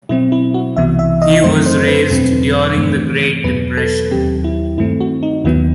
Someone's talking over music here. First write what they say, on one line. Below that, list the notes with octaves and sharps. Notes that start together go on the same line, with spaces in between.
He was raised during the Great Depression.
B2 F#3 C4 E4
E4
F#4
C2 C3 E3 B3 E5
E5
D#5
F#2 F#3 A3 C4 C5
C5
B4
E2 B2 F#3 C4
G2 E3 A3 C4
E2 B2 F#3 B3 B4
A4
D#2 D#3 F#3 C4 G4
E4
G2 D#3 A3 C4 E4
F#4
D#4
D#2 D#3 F#3 B3 E4